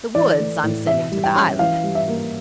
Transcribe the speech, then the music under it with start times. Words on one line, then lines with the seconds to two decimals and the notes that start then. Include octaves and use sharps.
The Woods I'm sending to the Island.
0.15 E3 D5
0.39 A3
0.63 A2
0.87 E3 E5
1.12 G3
1.24 G5
1.35 C#4
1.59 E3 F5
1.83 G3
1.95 E5
2.08 A#3